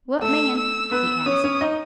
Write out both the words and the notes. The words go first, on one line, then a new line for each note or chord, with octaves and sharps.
"What man?" he asked.
A3 A4 E6
E6
B3 B4 E6
C#4 C#5 D#6
C#4 C#5
D#4 D#5